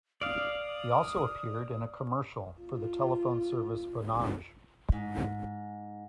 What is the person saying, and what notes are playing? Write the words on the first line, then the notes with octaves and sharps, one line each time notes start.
He also appeared in a commercial for the telephone service Vonage.
D5 F5 D#6
F4
G#2